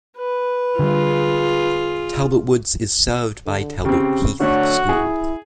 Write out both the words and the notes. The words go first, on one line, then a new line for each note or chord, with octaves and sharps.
Talbot Woods is served by Talbot Heath School.
B4
D3 G3 F4 G#4
D3
C#3 C4 G4
D3 A3 F#4 C#5
E4 G#4